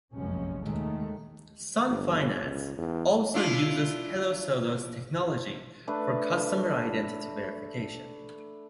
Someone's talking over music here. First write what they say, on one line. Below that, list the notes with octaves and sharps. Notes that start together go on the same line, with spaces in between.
Sun Finance also uses Hello Soda’s technology for customer identity verification.
F1 A#1 F#2 F3 G#3 C#4
D#2 A#2 D#3 G#3 A3
G1
C#2
E2
D4 E4 F4
A3 D4 B4